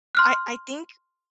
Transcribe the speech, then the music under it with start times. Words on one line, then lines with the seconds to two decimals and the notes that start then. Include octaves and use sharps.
I I think
0.15 C6 F6 F#6